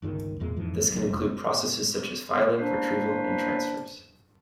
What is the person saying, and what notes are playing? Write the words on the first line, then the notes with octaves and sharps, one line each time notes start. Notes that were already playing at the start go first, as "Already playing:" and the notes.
This can include processes such as filing, retrieval and transfers.
G1 C#2 C3 D#3
G#1 E2 A#2 G#3
F2 G#2 E3
B1
F1
A#3 C#4 D4 E4 B4 C5